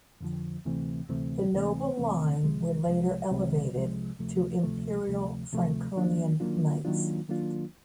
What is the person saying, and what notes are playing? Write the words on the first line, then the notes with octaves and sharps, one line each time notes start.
The noble line were later elevated to imperial Franconian knights.
F2 D3 F3
D2 C3 E3 A3 C4
D2 C3 E3 A3 C4
D2 C3 E3 A3 C4
D2 C3 E3 A3 C4
C2 C3 F3 G#3
C2 C3 F3 G#3
C2 C3 F3 G#3
C2 C3 F3 G#3
D2 C3 F3 A3
D2 C3 F3 A3
D2 C3 F3 A3
D2 C3 F3 A3
D#3 F#3 A#3 D4 F4
D#3 F#3 A#3 D4 F4
D#3 F#3 A#3 D4 F4
D#3 F#3 A#3 D4 F4